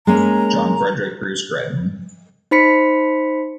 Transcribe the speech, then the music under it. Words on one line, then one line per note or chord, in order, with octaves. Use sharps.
John Frederick Bruce Gretton.
G#3 A#3 C#4 A#5
D#4 C5 B5 B6 C#7